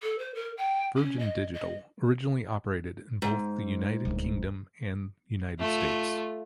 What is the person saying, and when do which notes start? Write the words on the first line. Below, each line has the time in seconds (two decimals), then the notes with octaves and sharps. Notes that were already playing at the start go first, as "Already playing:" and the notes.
Virgin Digital originally operated in both the United Kingdom and United States.
0.02 A4
0.18 C5
0.34 A#4
0.57 G5
0.95 C#4
1.19 D#5
1.53 D#5
3.22 G#2
4.05 D#1 D2
5.59 A3 F4